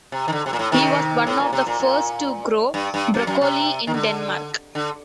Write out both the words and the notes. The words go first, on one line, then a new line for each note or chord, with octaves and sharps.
He was one of the first to grow broccoli in Denmark.
C3
D#3
D3
C3
A#2
A2
C3 D#3
A2
A#2
C3
A#2
A#2
G2
G2
F#2
F#2
C3
D#3
D3
D3